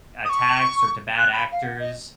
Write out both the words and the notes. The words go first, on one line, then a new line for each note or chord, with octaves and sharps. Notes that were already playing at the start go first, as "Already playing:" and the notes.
attacks or to bad actors.
D#6
C#6
F#6
B5
F5
F#5
D#5